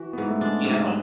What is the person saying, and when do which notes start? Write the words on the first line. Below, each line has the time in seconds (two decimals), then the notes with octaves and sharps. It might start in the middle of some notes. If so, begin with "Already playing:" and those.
you know?
Already playing: E3 F#4
0.13 G#2 B3
0.28 A3
0.41 G#3 D4
0.65 G#2